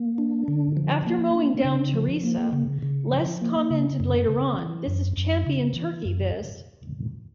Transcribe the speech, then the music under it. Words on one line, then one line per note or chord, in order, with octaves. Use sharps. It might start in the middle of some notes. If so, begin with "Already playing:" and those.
After mowing down Theresa, Les commented later on, This is champion turkey, this!
Already playing: A#3
D4
D3
F3
A#3
D4
C#3
F3
A#3
C#3
C#3
F3
A#3
C#3
F#2
C#3
E3
F#2
F#2
C#3
E3
F#2